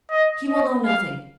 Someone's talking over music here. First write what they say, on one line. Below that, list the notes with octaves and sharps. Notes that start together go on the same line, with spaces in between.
"He will know nothing."
D#5
D#5
F5